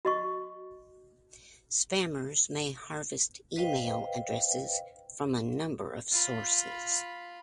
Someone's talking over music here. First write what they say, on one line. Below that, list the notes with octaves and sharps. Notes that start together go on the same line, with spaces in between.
Spammers may harvest email addresses from a number of sources.
F#4 D#5 C#6
B4 C5 D#5 F5 G5
F4 B5